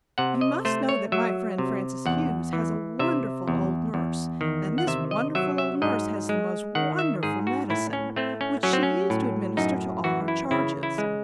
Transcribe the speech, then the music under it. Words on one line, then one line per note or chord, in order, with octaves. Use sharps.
You must know that my friend Francis Hughes has a wonderful old nurse, and this wonderful old nurse has the most wonderful medicine, which she used to administer to all her charges.
C3 F#5
D#5
A3 C5
C#5
F#3 E5
C3
E2 F#5
E3
C3 E5
E2
E2
D#3
F#5
C3 E5
D#5
F#3 E5
E5
G#2 D#5
G#3
D#3 F#5
E5
G#2 G#4
F#4
A2 E4
C#4
A3 C4
C#4
F#3 C#4
C4
C#4
A2
F#2 D#4
E3 F#4
E4
C#3 E4
E4
G#3